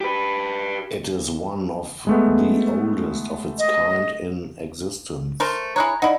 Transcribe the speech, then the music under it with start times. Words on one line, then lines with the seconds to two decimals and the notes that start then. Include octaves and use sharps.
It is one of the oldest of its kind in existence.
0.01 G4 B4
2.07 G#3 A3 B3
3.59 D#5
5.40 A3 A#4 C5
5.76 E4 G#4 C#5 A#5 F#6
6.02 D#4 E4 D5 F#5